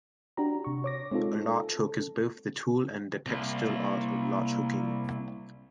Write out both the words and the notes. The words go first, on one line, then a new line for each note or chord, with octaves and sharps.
A latch hook is both the tool and the textile art of latch hooking.
D4 F#4 G4 A#5
C3 C#6
C#5 D6 A#6
G#3 C4 D#4 F4 A4
A4
C2 A#3